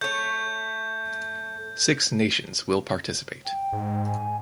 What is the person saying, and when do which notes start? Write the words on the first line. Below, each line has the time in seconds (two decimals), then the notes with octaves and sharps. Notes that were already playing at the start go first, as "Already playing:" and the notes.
Six nations will participate.
0.01 A3 C#5 G6
3.45 G5
3.72 G#2
4.07 G#5